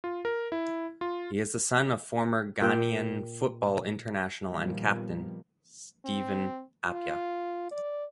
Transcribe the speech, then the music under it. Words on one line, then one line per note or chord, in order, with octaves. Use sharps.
He is the son of former Ghanaian football international and captain Stephen Appiah.
F4
A#4
E4
F4
A#2 G5
A#2 D#3 F3 G3 A#3 B3
C4
F4
D5